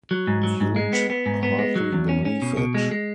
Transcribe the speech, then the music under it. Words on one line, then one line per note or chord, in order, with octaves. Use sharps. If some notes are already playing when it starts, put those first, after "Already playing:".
You'd hardly believe it.
F#3
G#2
F#3
G#2
G#3
B3
B3
G#2
B3
G#3
F#3
E2
C#4
C#4
B2
B2
G#3
G#3